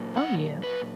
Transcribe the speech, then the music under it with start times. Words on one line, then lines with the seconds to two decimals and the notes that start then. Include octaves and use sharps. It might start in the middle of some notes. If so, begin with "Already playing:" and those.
Oh, yeah.
Already playing: A#2 F#3 A#3
0.17 F#5
0.63 B4